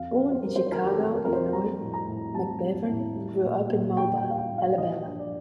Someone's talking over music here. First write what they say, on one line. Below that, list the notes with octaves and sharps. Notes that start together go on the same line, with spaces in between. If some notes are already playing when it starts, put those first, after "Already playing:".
Born in Chicago, Illinois, McGivern grew up in Mobile, Alabama.
Already playing: F2 F5
F2
C5
G3 A#4
C5
C5
D#3 A#4
G4
A4
F2
A#4
F2 A#4
C5
G3 A#5
A2
A#5
A2
G3 A5
G3
A2
G3
A#2
A#2
G3 G5
G5
G3
F5
G5
A#2
F5
F3 D#5
G2
D5